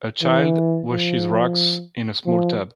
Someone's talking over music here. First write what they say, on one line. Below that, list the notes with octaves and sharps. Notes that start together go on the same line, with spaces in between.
A child washes rocks in a small tub.
E3
F3
F3